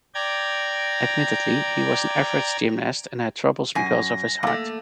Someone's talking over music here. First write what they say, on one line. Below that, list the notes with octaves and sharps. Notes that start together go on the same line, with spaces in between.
Admittedly, he was an average gymnast and had troubles because of his height.
D5 G5 A#5 G#6
F#2 G#5 A#6
A3 A#3